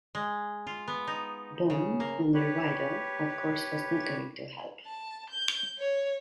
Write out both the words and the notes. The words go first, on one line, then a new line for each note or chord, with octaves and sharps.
Baume, under Wido, of course was not going to help.
G#3
F4
B3
D#4
C#3
A#3
G4 B4 C#5
A5
G6
C#5